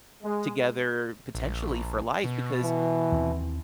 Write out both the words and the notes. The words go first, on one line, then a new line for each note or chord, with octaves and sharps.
together potentially for life because
G#3
A#1
B2
E3
D#2 C4